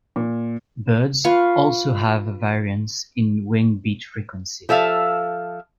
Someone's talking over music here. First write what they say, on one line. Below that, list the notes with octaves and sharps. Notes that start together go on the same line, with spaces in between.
Birds also have a variance in wing beat frequency.
A#2
F4 B4 F5 C#6
F3 A4 E5 F5